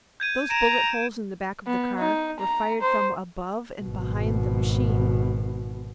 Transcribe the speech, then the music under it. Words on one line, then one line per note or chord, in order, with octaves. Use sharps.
Those bullet holes in the back of the car were fired from above and behind the machine.
G6 G#6 D#7
A#5 D7 E7
B3
D#4
A#5
C5
G#1 B2